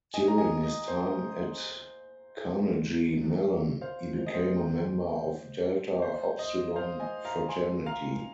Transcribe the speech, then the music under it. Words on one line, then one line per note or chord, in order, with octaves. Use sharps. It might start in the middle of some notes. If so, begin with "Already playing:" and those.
During his time at Carnegie Mellon, he became a member of Delta Upsilon fraternity.
D#5 G#5
A#5
D#5 G#5
D#5
C5
C5 F5
C5
D#5
C5
C5
D#5
C5 F5
D#5 G#5
F5 A#5
G#5 C6
F5 A#5